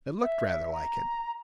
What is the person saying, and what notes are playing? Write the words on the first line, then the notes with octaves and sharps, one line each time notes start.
It looked rather like it.
E5
A#5